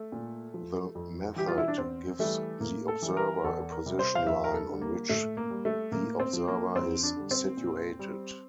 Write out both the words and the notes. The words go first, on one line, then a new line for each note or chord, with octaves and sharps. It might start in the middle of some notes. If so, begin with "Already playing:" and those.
The method gives the observer a position line on which the observer is situated.
Already playing: A3
A#2
F3
F2
E3 G3 G4
F4
E4
D4
E2 C4
E3 G3 A3
A2 A#3
A4
E3 G3
A#4
E2 A4
A#4
C3 G3
C5
F5
F2 E5
A#4
A4
D3 G3
A#3
A2 A3
A#3
G3
A3
A2 A#3
C4
F3
A#3
F2 C4
D4
D3 G3
C4
A#2
G3